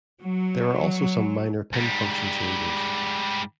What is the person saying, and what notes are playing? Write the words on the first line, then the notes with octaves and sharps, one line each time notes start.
There are also some minor pin function changes.
F#3
G#2 G3